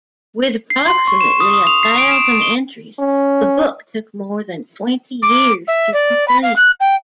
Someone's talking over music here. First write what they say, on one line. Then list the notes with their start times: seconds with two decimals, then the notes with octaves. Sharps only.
With approximately a thousand entries, the book took more than twenty years to complete.
0.70 C7
0.88 C6
1.07 C#6
1.21 E7
1.40 D#6
1.54 D#6
1.67 F7
1.83 C7
1.98 D7
2.12 E7
2.24 D7
2.42 G7
2.99 C#4
5.22 D6
5.67 E5
5.93 D5
6.27 B5
6.42 F5
6.56 F#6
6.80 G5